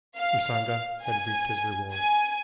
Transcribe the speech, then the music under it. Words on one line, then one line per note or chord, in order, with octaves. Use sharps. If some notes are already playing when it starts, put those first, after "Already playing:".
Usanga had reaped his reward.
F5
G#5
G#5